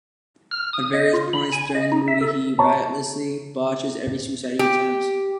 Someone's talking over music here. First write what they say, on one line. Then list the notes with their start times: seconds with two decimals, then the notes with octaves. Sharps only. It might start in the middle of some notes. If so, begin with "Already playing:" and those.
At various points during the movie, he riotously botches every suicide he attempts.
0.51 F6
0.73 D#6
0.94 D#5
1.13 F4
1.33 B5
1.53 G#5
1.75 D#5
1.92 D#4
2.08 E5
2.21 A4
2.58 C#5 A5 A#5
4.59 G4